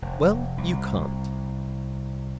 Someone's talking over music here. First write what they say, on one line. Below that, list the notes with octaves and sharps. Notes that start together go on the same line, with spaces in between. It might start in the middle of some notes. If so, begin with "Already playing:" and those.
Well, you can't.
F1
C2